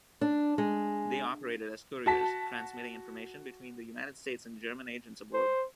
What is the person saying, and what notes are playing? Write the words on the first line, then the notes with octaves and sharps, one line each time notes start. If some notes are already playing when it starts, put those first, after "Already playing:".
They operated as couriers, transmitting information between the United States and German agents aboard.
D4
G#3
F#4 A5 B6
C5